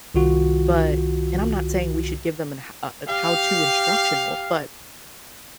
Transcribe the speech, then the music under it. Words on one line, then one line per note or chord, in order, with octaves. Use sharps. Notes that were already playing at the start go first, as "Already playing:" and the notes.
but and I'm not saying we should give them an ha uh, a "how-to" instructional, but
C2 D#3 F4 F#4
G4 F5